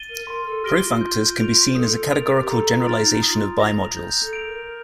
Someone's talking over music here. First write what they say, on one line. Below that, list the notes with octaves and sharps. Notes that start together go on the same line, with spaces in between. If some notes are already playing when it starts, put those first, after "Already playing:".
Profunctors can be seen as a categorical generalization of bimodules.
Already playing: A6 D#7 G7
A#4
A#4 C6
A4
G4 F6 A#6 D7 G7
F4
G6
D7 F7
A4 D#6
A#4 A6 D7 F7
G4
A4 A#5
F4
F6 A6 D7 F7
D#4
F4 D#6
A#6 F7
G6
A4
D7 F7
A#4